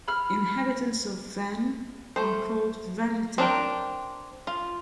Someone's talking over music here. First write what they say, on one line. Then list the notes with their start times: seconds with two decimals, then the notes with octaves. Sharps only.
Inhabitants of Vannes are called "Vannetais".
0.08 B5 F6
2.16 A3 C5
3.38 C4 D4 A#4 G5
4.47 F4